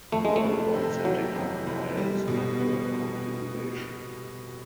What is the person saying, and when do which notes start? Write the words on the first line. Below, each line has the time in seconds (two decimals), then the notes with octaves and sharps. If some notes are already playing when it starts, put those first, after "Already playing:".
Learn about setting up wireless network configuration.
0.12 F2 A3
0.25 G#3
0.36 A3
0.44 F1
0.74 C3
1.05 E3 F#3
1.35 F2
1.66 F1
1.97 G3
2.28 B2
2.59 B3